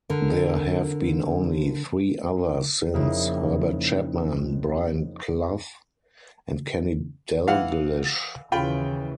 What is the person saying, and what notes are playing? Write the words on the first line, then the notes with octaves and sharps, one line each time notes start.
There have been only three others since; Herbert Chapman, Brian Clough and Kenny Dalglish.
D3 A#4
F2 C#3 A#3 D#4 E4
E3 F5 F#5
D#2 C#3 E3 F4 G5 B5